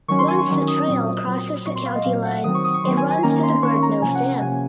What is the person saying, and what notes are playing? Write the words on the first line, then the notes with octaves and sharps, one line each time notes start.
Once the trail crosses the county line it runs to the Burnt Mills Dam.
D#3 F#3 C#4 C#6
C6
G#5
C#6
D#3 F#3 C#4
D#6
A#2 F#3 C4
A#2 F#3 C4
A#2 F#3 C4 C#6
C6
F5
D#5
A#2 F#3 C4 F5
F#5
D#3 F#3 C4 D#6
C#6
D#6
C#6
D#3 F#3 C4 C6
G#5
G#5
D#3 A#3 C#4 A#5
C6
D#3 A#3 C#4 C#6
A#5
C3 F3 A#3 C#4 G#5
F#5
F#5
C3 F3 A#3 C#4 G#5